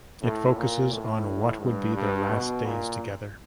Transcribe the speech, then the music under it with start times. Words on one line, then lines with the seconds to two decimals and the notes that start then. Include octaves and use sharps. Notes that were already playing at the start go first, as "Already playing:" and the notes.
It focuses on what would be their last days together.
0.22 A2
0.57 A#2
0.92 A2
1.61 G2
1.95 G2
2.30 B2
2.65 A#2